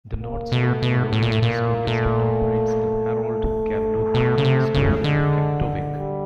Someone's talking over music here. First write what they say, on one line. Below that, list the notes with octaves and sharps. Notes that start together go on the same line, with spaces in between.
The North Slope Borough School District operates the Harold Kaveolook School in Kaktovik.
A#3
B2 A3
B2
A3
A2
A#2
A2
A#2 A#3
A#2 A3
A3
B2
C#3
C3
C#3
D3 G#3
G3